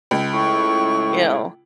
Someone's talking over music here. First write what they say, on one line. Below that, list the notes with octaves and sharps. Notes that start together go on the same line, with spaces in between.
you know?
C#2
A2 C#6